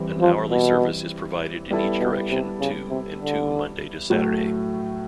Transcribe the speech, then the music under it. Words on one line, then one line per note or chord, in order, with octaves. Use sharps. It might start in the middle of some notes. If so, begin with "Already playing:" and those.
An hourly service is provided in each direction to and to Monday to Saturday.
Already playing: E3 G3 C4
F3
B2
G3 B3 E4 A4
B2
C3
C#3
C3
D3
A2 F#3 A3